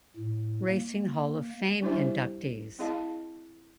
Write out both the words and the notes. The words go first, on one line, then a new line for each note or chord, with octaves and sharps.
Racing Hall of Fame inductees.
A2
A#3
G3 D4 E4 G4 C5 E5
C4 E4 G#4 D#5 F5 A5